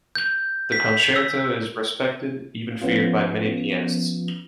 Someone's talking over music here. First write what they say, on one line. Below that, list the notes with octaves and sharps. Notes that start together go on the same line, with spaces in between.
The concerto is respected, even feared, by many pianists.
G6
B6
E6
F3 B3 C#4 F4